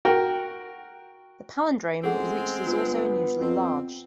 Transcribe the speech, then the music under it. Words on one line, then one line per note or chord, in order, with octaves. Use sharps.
The palindrome reached is also unusually large.
F#4 A#4 G5
A1 G#3 C4 G#4 A4 F#5
G1 B3 F4
F2 C4